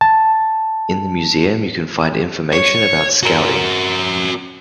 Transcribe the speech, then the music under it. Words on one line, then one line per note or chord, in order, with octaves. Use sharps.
In the museum you can find information about Scouting.
A5
C#5
F#4 A#4